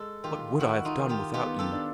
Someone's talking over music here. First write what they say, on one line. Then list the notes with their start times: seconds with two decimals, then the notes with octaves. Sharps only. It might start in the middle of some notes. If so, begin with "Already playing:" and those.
'What would I have done without you?'
Already playing: G#3 A4
0.24 D#3 F4 G4
0.60 D#3 E4 F#4
0.85 D#4 F4
0.97 D#3
1.09 F4 G4
1.34 B3 F4 G4
1.59 G4 A4
1.72 D4